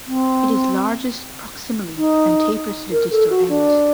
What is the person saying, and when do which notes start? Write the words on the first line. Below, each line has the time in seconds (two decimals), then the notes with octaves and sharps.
It is largest proximally and tapers to the distal end.
0.07 C4
1.97 D#4
2.92 A#4
3.11 A4
3.30 F#4
3.48 D4